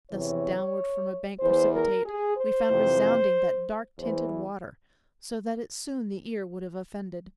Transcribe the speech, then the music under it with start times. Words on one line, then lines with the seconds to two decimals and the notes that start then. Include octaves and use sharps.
Thus downward from a bank precipitate, We found resounding that dark-tinted water, So that it soon the ear would have offended.
0.11 E2 C3 E3 C#5
1.40 E2 E3 C5
1.72 A#4
2.05 G#4
2.37 C5
2.70 F2 C3 E3
3.98 E2 E3 C5